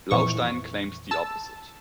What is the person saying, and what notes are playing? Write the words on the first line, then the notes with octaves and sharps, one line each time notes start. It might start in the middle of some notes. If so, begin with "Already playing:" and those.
Blaustein claims the opposite.
F2 A#2 E3 C#6
A5 E6